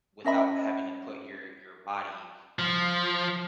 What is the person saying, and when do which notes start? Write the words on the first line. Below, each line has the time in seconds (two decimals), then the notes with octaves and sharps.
without having to put your your body,
0.25 C#4 D#5 E5 B5
2.59 F3